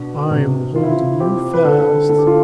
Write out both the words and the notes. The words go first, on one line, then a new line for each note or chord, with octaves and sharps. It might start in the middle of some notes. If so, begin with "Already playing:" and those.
"I am holding you fast!"
Already playing: B2 D4
C3
E3 F4
E4
F4
C4 G4
B4
D3 A4
D3 A4
G4
F4